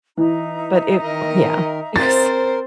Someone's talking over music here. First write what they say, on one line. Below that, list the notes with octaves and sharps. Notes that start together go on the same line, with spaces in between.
But it yeah. It was
E3 D#4 E5 A#5
D#3 A#4 D#5
C4 A#4 C5 A6